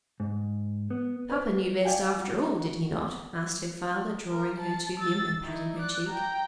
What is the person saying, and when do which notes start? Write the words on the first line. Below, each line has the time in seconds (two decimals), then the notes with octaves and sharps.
"Papa knew best, after all, did he not?" asked her father, drawing her to him, and patting her cheek.
0.20 G#2
0.90 B3
1.30 B4 C5 D5
1.85 D5 F5 G5 G#5
2.18 F#4
4.31 A#4
4.60 A5
5.00 E6 A6
5.41 D#4 E4
5.78 D5 F#6
6.09 G5 A#5